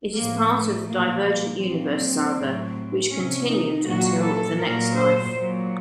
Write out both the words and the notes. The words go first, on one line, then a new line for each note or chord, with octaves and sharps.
It is part of the "Divergent Universe" saga which continued until "The Next Life".
A2 F3 A#3
A3
A#2 F3 A#3
A#3
A#2 F#3 C4
A2 F#3
C3 F3 C#4
D#4
A#2 F#3 F#4
A4
A#2 F#3 A#4
C5
A#2 F#3